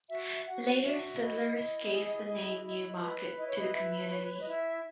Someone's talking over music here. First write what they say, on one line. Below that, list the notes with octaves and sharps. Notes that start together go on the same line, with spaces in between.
Later settlers gave the name New Market to the community.
F#4 E5
F#4 F#5
F#4 E5
E4 D#5
E4
G#4
E4
E4
B4
E4 D#5
C#5
D#5
B4 E5
C#5
C#5
D#5
E4 E5